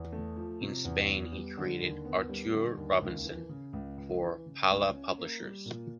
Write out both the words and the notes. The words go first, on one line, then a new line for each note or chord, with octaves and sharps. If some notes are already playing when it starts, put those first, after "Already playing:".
In Spain, he creates “Artur Robinson” for Pala Publishers.
Already playing: E2
A3
F3
C3
E2
B3
G3
D3
D#2
B3
G3
D3
D#2
C#2
E3
C#3
C#2
C#2
E3
C#3
C#2
C#4
A#3
G3
A#2